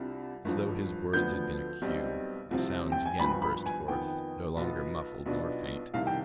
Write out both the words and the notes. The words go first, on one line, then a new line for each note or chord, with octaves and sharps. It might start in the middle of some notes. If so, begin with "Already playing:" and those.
As though his words had been a cue, the sounds again burst forth--no longer muffled nor faint.
Already playing: C2 C3 G3 D4 F4
G#1 G2 F3
D2 D3 F3 B3 G6
B1 B2 G3 C4
C2 C3 F3 C4 F4
G5
G#5
G#1 G2 F3 B3 B5
B5
G#5
F2 D#3 B3 G5
B1 B2 B3 F4
B1 B2 B3 D4 F4
C2 C3 D#3 F5
G5